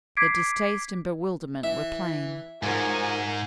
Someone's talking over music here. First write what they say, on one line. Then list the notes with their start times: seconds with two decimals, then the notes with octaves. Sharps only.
Their distaste and bewilderment were plain.
0.17 D6 G#6 B6 C7 D7
1.64 E3 E5
2.63 G#2 F3 F#4 A#4 G#5